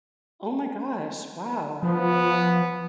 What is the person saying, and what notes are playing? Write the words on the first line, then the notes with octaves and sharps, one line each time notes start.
Oh my gosh, wow.
F3 B3